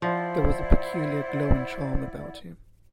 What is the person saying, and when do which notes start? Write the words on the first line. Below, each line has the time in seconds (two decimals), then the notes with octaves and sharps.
There was a peculiar glow and charm about him.
0.02 F3 E4 C5 D5 F#5